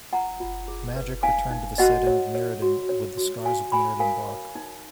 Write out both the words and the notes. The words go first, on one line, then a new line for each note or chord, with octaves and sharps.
"Magic" returned to the setting of Mirrodin with the Scars of Mirrodin block.
F4 F#5 A#5
F4
G#4
B4
D#4 F5 G#5
D#4
F#4 D#5 F#5
C#5
C#5
F#4
C#5
F#4
F#4 F5 G#5
F#4 G#5 B5
A#4 F5 G#5
C#5
D#4